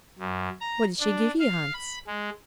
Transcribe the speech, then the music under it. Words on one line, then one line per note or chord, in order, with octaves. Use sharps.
'What did she give you, Hans?'
F#2
A#5
D4
F5
B5
G#3